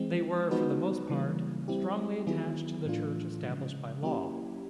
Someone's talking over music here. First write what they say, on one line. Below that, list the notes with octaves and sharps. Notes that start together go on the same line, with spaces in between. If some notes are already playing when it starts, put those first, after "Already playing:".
They were for the most part strongly attached to the Church established by law.
Already playing: E3 G#3 C4
G#3 B3 D#4 F#4 B4
C#3 E3 G3 A#3
G3 C4 E4 G4
D#3 F#3 B3 E4 G#4
A2 E3 A3 D4 F4
C#3 F3 G#3
F#3 A#3 C#4 E4 G4